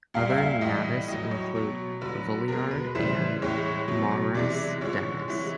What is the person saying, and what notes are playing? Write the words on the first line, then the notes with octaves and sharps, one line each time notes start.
Other Nabis include Vuillard and Maurice Denis.
A#2 G3 F5
E5
F5
A2 E3 G3 D#5
A2 F#3 D#5
C#5
B2 F#3
D3 F#3 B4
B2 G#3 A#4
B4
C#3 E3 G3 C5
A2 E3 G#3 C#5
B2 F#3
C3 E3 G#3 D5
D3 F3 G#3 C#5
C3 E3 G#3